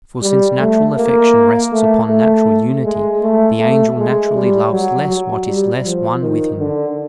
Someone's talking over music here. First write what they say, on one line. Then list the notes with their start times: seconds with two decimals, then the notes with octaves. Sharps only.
For since natural affection rests upon natural unity, the angel naturally loves less what is less one with him.
0.22 G3
0.59 A3
0.97 A#3
1.72 A3
2.10 A3
2.84 G#3
3.22 A3
3.60 A3
3.97 G#3
4.34 G3
4.72 F#3
5.09 F#3
5.47 G3
5.85 F3
6.22 D#3
6.60 D3